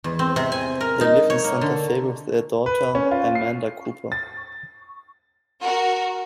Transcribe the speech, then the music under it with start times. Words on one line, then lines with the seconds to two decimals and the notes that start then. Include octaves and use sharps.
They live in Santa Fe with their daughter, Amanda Cooper.
0.04 E2
0.19 C4
0.36 C3
0.52 G#5
0.81 A#4
1.01 D#4
1.30 C#5
1.44 A#3
1.61 D3
2.66 B4
2.95 C#4
3.11 F4
3.35 C7
4.12 A6
5.61 F#4 A#4